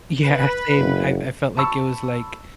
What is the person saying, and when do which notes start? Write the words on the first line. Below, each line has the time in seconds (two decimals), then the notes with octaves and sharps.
Yeah, same. I I felt like it was, like,
0.23 B4
0.78 F#1
1.57 A5 B5 C#6 E6